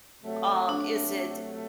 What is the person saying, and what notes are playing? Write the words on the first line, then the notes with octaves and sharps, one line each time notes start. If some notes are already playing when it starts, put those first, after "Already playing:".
Um, is it
C3 F#3 A3
D4